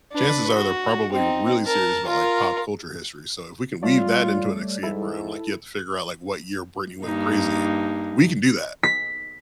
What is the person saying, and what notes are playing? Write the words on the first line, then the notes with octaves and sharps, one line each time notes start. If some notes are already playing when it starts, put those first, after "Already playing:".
chances are they're probably really serious about, like, pop culture history, so if we can weave that into an escape room, like, you have to figure out, like, what year Britney went crazy, we can do that.
D4 B4
F#4
C4 D#4
A#4 A5
F4 A#4
G3 A3 F4 C#5 D5
G#2 E4 A4
G2 A#3 D#4
B6